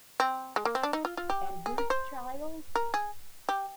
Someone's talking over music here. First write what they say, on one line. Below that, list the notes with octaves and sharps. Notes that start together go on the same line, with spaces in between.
And whose child?
C4
G#3
A#3
C4
D4
D#4
F4
F4
G4
G#4
A#4
C5
A#4
G#4
G4